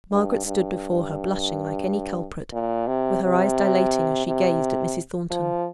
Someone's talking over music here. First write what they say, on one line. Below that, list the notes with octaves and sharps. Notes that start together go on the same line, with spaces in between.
Margaret stood before her, blushing like any culprit, with her eyes dilating as she gazed at Mrs. Thornton.
G2
G2
A#2
C3
C3
C3
F3